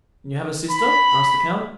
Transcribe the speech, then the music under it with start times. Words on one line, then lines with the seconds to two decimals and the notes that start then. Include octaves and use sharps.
"You have a sister?" asked the count.
0.70 B5